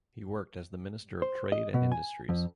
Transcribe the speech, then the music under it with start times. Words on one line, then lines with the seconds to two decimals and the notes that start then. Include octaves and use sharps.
He worked as the Minister of Trade and Industries.
1.22 C5
1.52 D#5
1.74 B2
1.92 G#5
2.29 F2